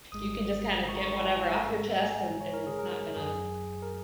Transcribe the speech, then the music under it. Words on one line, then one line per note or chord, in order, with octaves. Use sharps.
you can just kind of get whatever off your chest and and it's not gonna
G#1 G#2 G#3 D#6
C#6
A#5
C#6
G#5
A#5
G#2 G#3 C#4
A#5
G#5
C#5
A#4
G#4
A#4
F#2 F#3 C#4 G#4
A#4